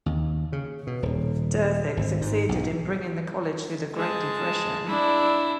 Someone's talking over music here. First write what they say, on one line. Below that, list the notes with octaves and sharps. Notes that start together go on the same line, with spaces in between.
Derthick succeeded in bringing the college through the Great Depression.
D#2
C#3
B2
D#1
G#1
G#2
B1
G#3 A5
D4 E4